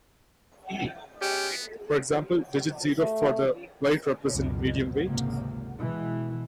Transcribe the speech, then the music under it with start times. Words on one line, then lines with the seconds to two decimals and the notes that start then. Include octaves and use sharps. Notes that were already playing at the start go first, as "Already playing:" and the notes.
For example, digit zero for the weight represents medium weight.
1.22 G#3 B3 C#4 G4
2.98 A3
4.28 C#2 F#2 B2
5.04 G#1 C#2 C3 A#3
5.79 B2 E3 G#3